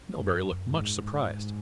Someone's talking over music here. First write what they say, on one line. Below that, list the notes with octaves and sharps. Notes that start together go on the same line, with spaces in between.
Melbury looked much surprised.
F#2
G#2
G#2